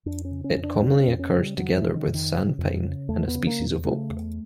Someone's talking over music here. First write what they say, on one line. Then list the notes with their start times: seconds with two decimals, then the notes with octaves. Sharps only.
It commonly occurs together with sand pine and species of oak.
0.06 F2 D4
0.25 C#4
0.31 C#3
0.44 C#4
0.56 F2
0.63 D4
0.82 C#3 D4
1.01 C#4
1.07 F2
1.19 C#4
1.32 C#3
1.38 G3
1.57 F2 F#3
1.76 E3
1.83 C#3
1.95 D#3
2.07 F2
2.14 D#3
2.34 C#3
2.59 F2
2.83 C#3
3.09 E2 A3
3.28 B3
3.34 C#3
3.47 A#3
3.59 E2
3.84 C#3 A3
4.10 E2